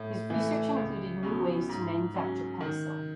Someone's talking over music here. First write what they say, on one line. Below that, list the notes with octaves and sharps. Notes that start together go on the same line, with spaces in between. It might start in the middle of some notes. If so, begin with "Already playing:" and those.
His research included new ways to manufacture penicillin.
Already playing: A2
E3 A3
C#2
B2 F#3 C#4
G#2
F#3 C#4
D#3